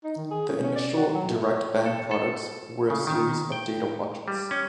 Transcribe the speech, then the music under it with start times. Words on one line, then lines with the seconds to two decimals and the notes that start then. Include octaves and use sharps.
The initial DirectBand products were a series of data watches.
0.04 D#4
0.16 D#3
0.31 G#4
0.49 C#4
0.63 C#4
0.76 D5
0.96 F#4
1.15 F#3
1.29 A2
1.44 C#5
1.86 A4
2.11 A4
2.90 C#3
3.07 D#3
3.52 G5
4.28 G3
4.51 C#4